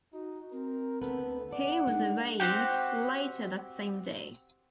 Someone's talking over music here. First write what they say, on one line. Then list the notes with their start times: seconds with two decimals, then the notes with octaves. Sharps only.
He was waived later that same day.
0.13 D#4 F#4
0.52 C4 A#4
1.02 D2 B3 A4 B4
1.51 A4 D5 F#5
1.87 G#3 D4 D#4
2.40 C4 D4 F#4 G4